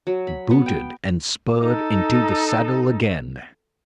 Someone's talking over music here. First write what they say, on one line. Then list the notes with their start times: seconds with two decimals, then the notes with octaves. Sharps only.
Booted and spurred, into the saddle again!
0.07 F#3
0.27 B5
0.51 B3
0.66 G5
1.62 D#4 A4